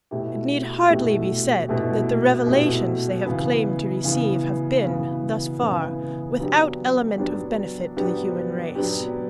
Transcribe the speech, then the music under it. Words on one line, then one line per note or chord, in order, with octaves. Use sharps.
It need hardly be said that the revelations they have claimed to receive have been, thus far, without element of benefit to the human race.
B2 A3 E4 G4
B2 A3 E4 G4
B2 A3 E4 G4
B2 A3 E4 G4
C#3 E3 B3
C#3 E3 B3
C#3 E3 B3
C#3 E3 B3
F#3 B3 D4 G4
F#3 B3 D4 G4
F#3 B3 D4 G4
F#3 B3 D4 G4